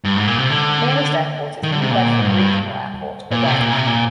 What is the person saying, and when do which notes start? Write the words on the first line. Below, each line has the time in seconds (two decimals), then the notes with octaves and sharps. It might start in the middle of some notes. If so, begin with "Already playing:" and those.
The nearest airport is New Bedford Regional Airport, away.
0.04 G2
0.16 G#2
0.28 A#2
0.38 C3
0.50 D3
1.63 D#3
1.72 D3
1.82 C3
1.91 A#2
2.20 G#2
2.26 G2
3.31 A#2
3.45 C3
3.60 A#2
3.73 C3
3.87 A#2